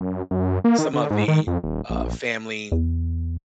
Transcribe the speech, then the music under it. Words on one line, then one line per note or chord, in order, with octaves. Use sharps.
some of the, uh, family
F#2
F#2
A#3
D#3
D3
G#2
D#3
F2
D#1
A#1
E2